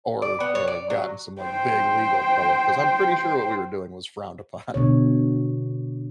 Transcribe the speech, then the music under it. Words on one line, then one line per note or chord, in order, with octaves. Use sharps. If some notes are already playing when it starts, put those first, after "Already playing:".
or, uh, got in some, like, big legal trouble 'cause I'm pretty sure what we were doing was frowned upon.
D5
B3
C#5
D5
F#3
C5 G5
B2 D3 C#5